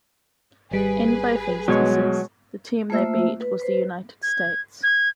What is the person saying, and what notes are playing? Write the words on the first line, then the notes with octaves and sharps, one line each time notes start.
In both instances, the team they beat was the United States.
G#1 G3 G#4 B4
B2 F#3 G#3 C#5 C#6
A3 A#3 F4 C5 E5 E6
B4
B4 C5
G#6
G#6